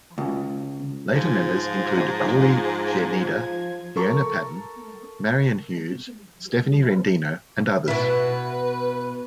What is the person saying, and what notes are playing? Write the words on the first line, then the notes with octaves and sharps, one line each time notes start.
Later members included Julie Czerneda, Fiona Patton, Marian Hughes, Stephanie Rendino and others.
C#2
G#2 F3 G#6
A4 A#4 C#6
B2 E4 B4